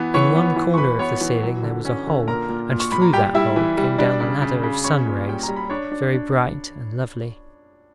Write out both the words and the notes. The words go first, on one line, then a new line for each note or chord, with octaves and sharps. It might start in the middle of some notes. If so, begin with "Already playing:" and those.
In one corner of the ceiling there was a hole, and through that hole came down a ladder of sun-rays--very bright and lovely.
Already playing: E3 B3
E3 C#5 C#6
B3
E3
C#6
E3 B4 B5
B3 C#5 C#6
E3
F#3
D3
C#4
D3
A#2 A#4 A#5
A#2
A#2
C#6
A#2 B5
A#5
G3 G4 G5
G3 E4 E5
E3
G3
G3 D4 D5
C#3
C#3
C#3
C#4 C#5 C#6
A#2
G3 G5
G3 A#5
B5
D4 C#5 C#6
D4
D4